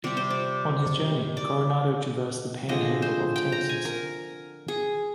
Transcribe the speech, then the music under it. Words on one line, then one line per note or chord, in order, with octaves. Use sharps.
On his journey, Coronado traversed the panhandle of Texas.
C3 G3 C4 D5
C5
D5
D5
D3 F3 G#3 C4 D#5
C5
G5
A#5
G#5
A#4
G#4